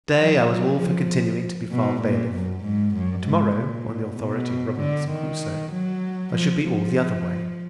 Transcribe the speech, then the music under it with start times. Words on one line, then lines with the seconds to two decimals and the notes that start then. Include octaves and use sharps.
To-day I was all for continuing to be farm-bailiff; to-morrow, on the authority of ROBINSON CRUSOE, I should be all the other way.
0.17 F3
0.48 F#3
0.79 F3
1.72 B2
2.02 A#2
2.34 F#2
2.64 G#2
2.95 F#2
3.26 G#2
3.56 A#2
4.18 B2
4.80 D3
5.10 D#3
5.72 F#3
6.34 F3
6.65 F3